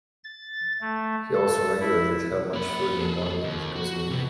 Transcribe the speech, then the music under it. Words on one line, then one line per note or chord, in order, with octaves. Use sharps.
He also regulated how much food and wine they could consume.
A6
A3
A4
E4
A#3 B5
G#4 A4
D#2
F#4
C3 B3